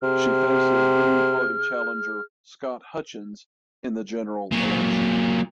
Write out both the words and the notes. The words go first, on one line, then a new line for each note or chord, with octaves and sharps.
She faces Green Party challenger Scott Hutchins in the general election.
C3 G#4 F6
A#2 F#3